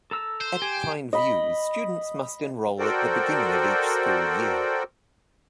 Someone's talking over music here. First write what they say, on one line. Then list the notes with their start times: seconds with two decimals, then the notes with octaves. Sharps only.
At Pine View, students must enroll at the beginning of each school year.
0.11 A4 A#5 E6
0.41 C5
0.62 G4 G5 G#5
1.13 D#5 B5
2.79 F#4 A4 A#4 C5 D5 G5